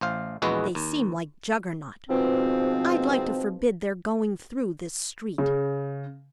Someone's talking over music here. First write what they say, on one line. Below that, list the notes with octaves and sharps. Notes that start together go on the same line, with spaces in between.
"They seem like Juggernaut. I'd like to forbid their going through this street."
A1 C5 F5
A#1 E2 G#3 F#4 B4
D#2
G#2 B2 F3 C4
C#3